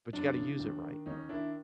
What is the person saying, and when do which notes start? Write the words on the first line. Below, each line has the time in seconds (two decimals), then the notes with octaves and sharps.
but you gotta use it right,
0.13 F#2 D4
0.37 C#3 E3
0.60 D#2
0.83 D#3
1.06 D#2 C#4 D#4
1.29 D#3 D4 E4